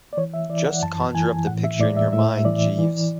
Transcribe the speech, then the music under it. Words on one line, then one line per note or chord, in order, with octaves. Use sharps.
Just conjure up the picture in your mind, Jeeves.
D5
E3 C#5
E5
E3 D5
F#5
F#2 A5
E3 G#5
A2 F#5
E5
A2 D5
E5
A2 E5
E3 D5
E3